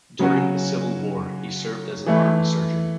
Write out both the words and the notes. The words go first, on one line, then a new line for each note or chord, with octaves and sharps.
During the Civil War he served as an army surgeon.
C#3 F#3 C#4 F#4
E3 A3 E4